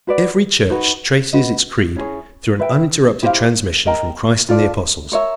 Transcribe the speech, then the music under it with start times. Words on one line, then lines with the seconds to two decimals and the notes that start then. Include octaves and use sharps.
Every church traces its creed through an uninterrupted transmission from Christ and the Apostles.
0.07 F#4 B4 D5
0.70 D#4 F#4 B4
1.33 F#4 B4 D#5
1.96 C#4 E4 G#4 C#5
2.59 B4 E5 G5
3.22 E4 G4 C5 F5
3.86 A#4 D#5 G5 A#5
4.49 F4 A4 D5
5.12 A#4 C#5 E5